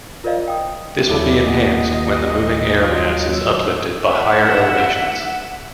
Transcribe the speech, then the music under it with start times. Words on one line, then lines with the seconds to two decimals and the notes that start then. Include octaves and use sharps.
This will be enhanced when the moving air mass is uplifted by higher elevations.
0.24 F4 A#4 C5 D5 D#5 F5
0.48 G5 D#6
1.09 D#2 F#3 E4 A4 D5
1.45 A#2 G4 D#5 F#5
2.81 F#3 F4
3.33 E6
4.08 E5 F#5